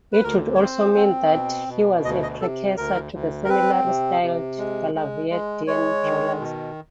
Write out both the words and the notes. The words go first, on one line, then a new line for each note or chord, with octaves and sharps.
It would also mean that he was a precursor to the similarly-styled Gallovidian rulers.
B4
D2 A#4
C#5
C4 C5
C4
B2
B2
D2 D#5
D#5
C3 A4
D2 A#4
D2
A#4
C4 B4
C3
C3
G#3
G#3
G#3
G#3 C#5
D#3
B2